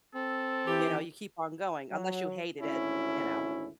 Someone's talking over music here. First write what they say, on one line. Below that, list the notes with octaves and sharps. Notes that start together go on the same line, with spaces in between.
you know, you keep on going unless you hated it, you know?
C4 A4
E3 G4
F#3
G#1 D2 C#4 E4